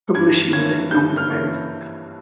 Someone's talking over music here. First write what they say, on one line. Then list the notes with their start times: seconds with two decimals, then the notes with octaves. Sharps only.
Publishing then owned the magazine.
0.14 G2 G#6
0.53 E3 A#3 C#4 G#6
0.91 G2 G6
1.17 F6
1.30 E3 A#3 C#4